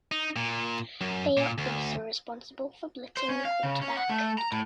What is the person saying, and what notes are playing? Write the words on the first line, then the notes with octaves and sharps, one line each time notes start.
They are also responsible for blitzing the quarterback.
D#4
A#2
F#2
A#2
D2
C5
C#4
F5
C#3
C#4
F#5
A3
A#5
A2